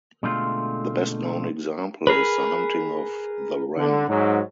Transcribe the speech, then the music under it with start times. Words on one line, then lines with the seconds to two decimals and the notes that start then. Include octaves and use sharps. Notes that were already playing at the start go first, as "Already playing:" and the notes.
The best known example is the hunting of the wren.
0.23 B2 D3 G#3 A3 C4 F4
2.07 G#4 A#4 B4
3.77 D3
4.08 G#2 F#3